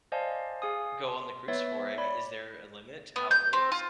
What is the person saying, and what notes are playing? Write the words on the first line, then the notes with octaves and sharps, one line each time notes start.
go on the cruise for? I mean, is there a limit to how it works?
C5 D5 D#5 F5 G#5 A5
G#4 F5 G#5 D#6
C6
B3 B4 C#5 E5 A6
E5
C#5 D5 B5
B3
G6
C4
F4